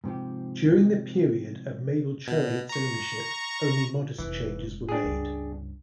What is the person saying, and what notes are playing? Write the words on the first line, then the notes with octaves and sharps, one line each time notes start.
During the period of Mabel Choate's ownership only modest changes were made.
G#2 C3 F3 G4
B2
A#5 C#6
F1 E3 G#3
D4 G4 G#4
C#2 G2